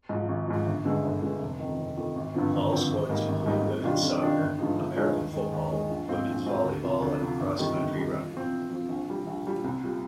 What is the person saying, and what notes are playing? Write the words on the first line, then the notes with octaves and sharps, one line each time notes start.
Fall sports include women's soccer, American football, women's volleyball, and cross-country running.
G#2 F3
G#1
G#2 F3
G1
G2 D3 G#3
G1
G2 D3 G#3
F1
F2 D#3
F1
F2 D#3
G#1
G2 D3 F3 C4
G#1
G2 D3 F3 C4
G#1
G#2 G3 A#3 D#4
G#1
G#2 G3 A#3 D#4
F2
D#3 G3 D4 F4
F2
D#3 G3 D4 F4
G1
G2 F3 G#3 D#4
G1
G2 F3 G#3 D#4
D#2
D#3 G#3
D#2
D#3 G#3
A#1
G#2 F3 C4 F4
A#1
G#2 F3 C4 F4
D2
C3 F3
D2
C3 F3
G1
F2 D#3 G3
G1
F2 D#3 G3
A#2
F3 C4
A#2
F3 C4
A#1
A#2 G3
A#1
A#2 G3
C2
A#2 G3